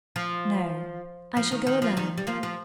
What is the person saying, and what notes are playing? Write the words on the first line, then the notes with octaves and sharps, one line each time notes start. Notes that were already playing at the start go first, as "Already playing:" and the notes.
"No; I shall go alone."
F3
F3
D#3
D#3
F3
D#3 G3
G3
F3 A#3
F3